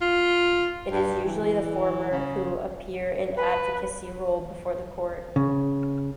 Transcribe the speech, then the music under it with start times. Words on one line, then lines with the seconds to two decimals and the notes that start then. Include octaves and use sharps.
It is usually the former who appear in an advocacy role before the court.
0.01 F4
0.91 G2
1.25 E3
2.11 C#3
3.37 B4
5.36 C#3